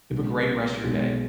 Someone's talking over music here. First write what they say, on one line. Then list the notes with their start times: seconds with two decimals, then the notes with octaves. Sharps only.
Have a great rest of your day.
0.11 B1 B2 G#3
0.84 B1 B2 G#3